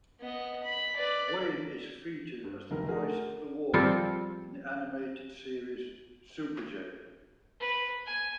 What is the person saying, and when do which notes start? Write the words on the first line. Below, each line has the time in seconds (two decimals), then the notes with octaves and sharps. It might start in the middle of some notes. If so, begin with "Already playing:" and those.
Wain is featured as the voice of The Warden in the animated series "Superjail!".
0.20 B3 D#5
0.64 B5
0.96 B4 D5
2.44 G2
2.71 F1 D#3 A#4
2.88 A3 F#4 G#4 A#4
3.74 F3 G3 C4 F4 A4
7.60 B4
8.06 G#5